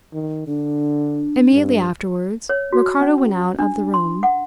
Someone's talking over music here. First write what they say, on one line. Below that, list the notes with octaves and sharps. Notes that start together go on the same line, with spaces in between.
Immediately afterwards Ricardo went out of the room.
D#3
D3 D4
G2
C#5
F#4
C#4
D4
C6
F#5